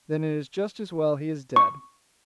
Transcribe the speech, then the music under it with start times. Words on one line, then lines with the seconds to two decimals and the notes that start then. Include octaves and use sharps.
"Then it is just as well he is dead."
1.56 C#6